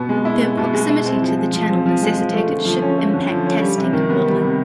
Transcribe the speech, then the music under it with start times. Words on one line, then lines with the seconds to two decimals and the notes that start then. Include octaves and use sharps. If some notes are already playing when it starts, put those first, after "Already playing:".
Their proximity to the channel necessitated ship impact testing and modelling.
Already playing: B2 B3
0.09 G#3
0.25 E4
0.41 B3
0.57 B2
0.73 G#3
0.89 E4
1.05 C4
1.22 F3
1.38 G#3
1.53 F3
1.69 C4
1.86 F3
2.02 G#3
2.17 F3
2.34 A3
2.49 D3
2.65 F3
2.82 C#4
2.98 A3
3.14 D3
3.30 F3
3.46 C#4
3.61 G3
3.78 C3
3.93 D#3
4.10 B3
4.26 G3
4.41 C3